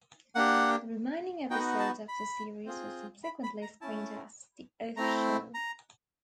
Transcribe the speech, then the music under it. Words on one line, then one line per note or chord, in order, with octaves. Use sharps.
The remaining episodes of the series were subsequently screened as "The Of Show".
A#3 D4 G4 F#5
B3 D#4 F#4 G5
A5
B5
C4 F4 G#4
B5
B5
A#5
A3 C#4 E4 A5
A3 C4 E4 A#5
A#5